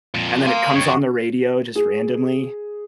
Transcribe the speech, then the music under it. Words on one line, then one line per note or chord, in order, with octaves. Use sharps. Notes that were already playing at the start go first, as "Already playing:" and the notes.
and then it comes on the radio, just randomly.
F2 A#2
A#3 G#5 C6
F2 C#5
F#4
G#4